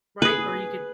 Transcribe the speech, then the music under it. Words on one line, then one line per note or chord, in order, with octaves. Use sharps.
Right, or you could
G#4 B4